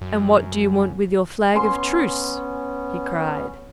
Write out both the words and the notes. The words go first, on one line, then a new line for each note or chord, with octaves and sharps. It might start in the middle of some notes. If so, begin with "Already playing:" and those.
"And what do you want with your flag of truce?" he cried.
F#2
B3 C#4 G#5 C6